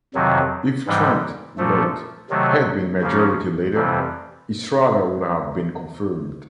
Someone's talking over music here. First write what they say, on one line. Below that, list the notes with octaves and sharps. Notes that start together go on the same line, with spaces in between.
If Trent Lott had been majority leader, Estrada would have been confirmed.
F2 C3 D#3 F#3
G#2 E3 G3
A#2 F3 A3
C3 D#3 F#3 A3
C#3 F3 A#3 C#4
F2 C3 E3 G3